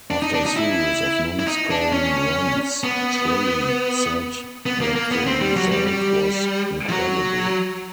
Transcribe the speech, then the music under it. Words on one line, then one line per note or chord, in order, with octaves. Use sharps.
After a series of non-scoring runs, Trulli said that the result was 'incredible'.
D4
D#4
D4
D#4
E4
E4
D#4
D4
C#4
B3
B3
A#3
A#3
B3
C4
G3
F#3
G3
G3
F3
F#3